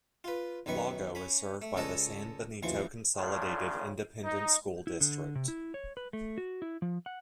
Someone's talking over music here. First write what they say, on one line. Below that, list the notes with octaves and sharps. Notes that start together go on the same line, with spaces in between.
Lago is served by the San Benito Consolidated Independent School District.
F4 B4
B1 F#2 D#3 B4 C#6
C#4 B5
A3
C#2 C#4 A4 D5 D#5 A5
A1 D#2 E3 F3 C#6
A2 C#3 A3 D4 F4
D#4
E4
D3
C3
E4
C#5
B4
A3
F#4
E4
F3
F#5